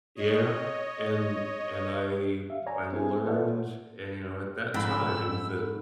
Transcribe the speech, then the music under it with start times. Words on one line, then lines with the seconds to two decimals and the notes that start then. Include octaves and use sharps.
Yeah, and and I I learned, eh, you know, at that time that,
0.16 C#5 D#5
2.50 E5 F5
2.66 C#5 D5 G#5 A#5
2.93 C4 E4 G#4 G#5
3.26 A4 B4 C#5 D5 E5 F#5
4.74 F2 G#2 G5 A#5 B5 E6